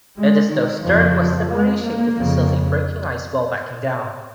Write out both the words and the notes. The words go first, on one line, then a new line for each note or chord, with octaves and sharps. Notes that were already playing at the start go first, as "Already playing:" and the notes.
"Edisto's" stern was similarly shaped to facilitate breaking ice while backing down.
G#3
D#3
F2 C#3 F3
G#3
A#3
F2 C#3